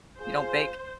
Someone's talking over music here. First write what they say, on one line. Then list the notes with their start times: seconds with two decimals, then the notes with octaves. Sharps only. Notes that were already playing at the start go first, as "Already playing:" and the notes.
You don't bake?
0.18 F4 G#4 C5